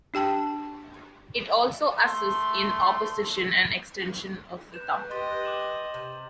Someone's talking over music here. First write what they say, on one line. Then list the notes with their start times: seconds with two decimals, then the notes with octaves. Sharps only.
It also assists in opposition and extension of the thumb.
0.14 D4 G4 G5 A5
2.03 A3 C6
4.74 B4 G6 E7
5.11 G4 D#5 G5 C6 A6
5.43 D6 E7 F#7
5.94 C3